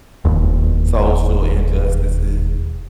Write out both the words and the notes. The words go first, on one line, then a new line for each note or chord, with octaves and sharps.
social injustices.
E1 D#2